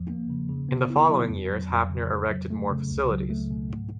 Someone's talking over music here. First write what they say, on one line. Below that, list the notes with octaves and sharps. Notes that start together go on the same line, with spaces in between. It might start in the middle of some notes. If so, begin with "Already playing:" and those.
In the following years, Haffner erected more facilities.
Already playing: E2 F3
A#3
C#3
C#3
B3
E4
F#3
F2
F#3
F2
C#3
E2
F#3
A3
C#3
C#2
F#3
A3
B2
G#2